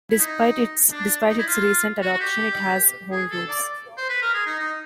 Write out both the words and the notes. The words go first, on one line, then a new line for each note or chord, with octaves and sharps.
Despite its recent adoption, it has old roots.
E4
D#4
D4
D#4
E4
F4
F#4
F#4
G4
G#4
A4
D5
C5
B4
A#4
G#4
D#4
D#4